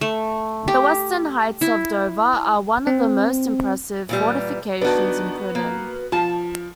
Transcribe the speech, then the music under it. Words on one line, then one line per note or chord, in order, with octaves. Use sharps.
The Western Heights of Dover are one of the most impressive fortifications in Britain.
A3
G4
E4
C4
A#2 E3 G3
D#3 B3 D4 F#4
A#3
F3 A5